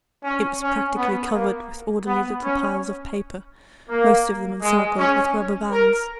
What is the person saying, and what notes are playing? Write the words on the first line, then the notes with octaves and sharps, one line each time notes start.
It was practically covered with orderly little piles of paper, most of them encircled with rubber bands.
C#4
C#4
B3
A#3
B3
C#4
A#3
G#3
C#4
A#4